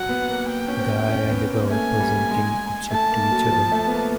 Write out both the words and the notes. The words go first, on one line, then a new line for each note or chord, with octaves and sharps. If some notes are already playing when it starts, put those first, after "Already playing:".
A guy and a girl presenting object to each other.
Already playing: F#3 F#5
B3
A#3
G5
C#4
C4
C#4
B3
A#3
A3 G#5
G3
G#3
A3 A5
A#3
F#3
F3
A3
B3
A#3